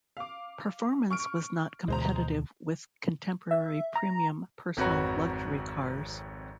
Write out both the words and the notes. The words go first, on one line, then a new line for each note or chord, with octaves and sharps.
Performance was not competitive with contemporary premium personal luxury cars.
F5 D6
C#6 F6 D7
D2 B2 E3 G#3 C5 A#5
E5
A#5
G#1 F2 F#4 B4 C#5 A#5